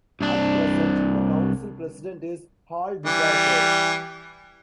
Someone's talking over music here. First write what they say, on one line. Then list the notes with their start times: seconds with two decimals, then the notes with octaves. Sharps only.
At present, the Council President is Hal DeSaussure.
0.21 C2 D4
3.06 E3 G3